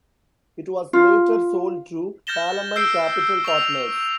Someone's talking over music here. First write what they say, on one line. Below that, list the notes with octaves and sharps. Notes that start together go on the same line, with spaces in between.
It was later sold to Palamon Capital Partners.
F4
F6 G6 A6 A#6 E7 G7
E6 G6 C7 D7
C#6 E6 F7